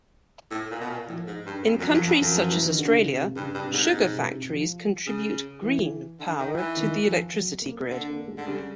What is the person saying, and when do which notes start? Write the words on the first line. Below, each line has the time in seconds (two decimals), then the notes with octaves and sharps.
In countries such as Australia, sugar factories contribute "green" power to the electricity grid.
0.51 A2
0.71 A#2
0.81 B2
0.89 A#2
1.08 A2 F3
1.27 G#2
1.46 G2
1.65 F2 A#3
1.79 F#2
1.83 F#3
1.94 F#2 F3
2.07 F2
2.22 F#2 F3
2.37 F3
2.50 E3
2.65 D#3
2.79 D3
2.98 C#3
3.17 C3
3.36 G2 C#3
3.54 G2
3.64 C3
3.74 G#2
3.92 B2
4.12 C3
4.30 C3
4.49 F3
5.06 C#3
5.63 E3
6.20 D3
6.39 D#3
6.57 E3
6.77 D#3
7.05 F3
7.34 F#3
7.61 A#3
7.90 D3 A#3
8.09 A#3
8.28 G#3
8.38 D3
8.47 C#3 G3